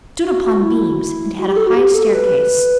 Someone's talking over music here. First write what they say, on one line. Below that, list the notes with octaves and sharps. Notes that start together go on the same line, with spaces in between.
It stood upon beams, and had a high staircase.
F#4
F#4
E4
F#4
G4
A4
F#4
G4
A4
B4